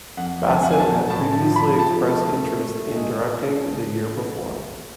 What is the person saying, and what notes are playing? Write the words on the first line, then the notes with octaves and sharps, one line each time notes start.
Bassett had previously expressed interest in directing the year before.
F2 F#5
F2 A5
G#5
F#5
G#5
F#3 A5
A2 A5
A5
F3
B5
F3
A5
A3
A3
A3
G#3